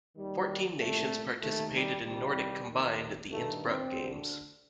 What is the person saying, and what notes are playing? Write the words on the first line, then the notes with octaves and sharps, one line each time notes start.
Fourteen nations participated in nordic combined at the Innsbruck Games.
D#2 D#3 G3
C2 A#2 A3
D#2 D#3 A3
G3
C2 C3 D#3 G3
D#2 D#3
G2 D#3 A3
C4
D2 D3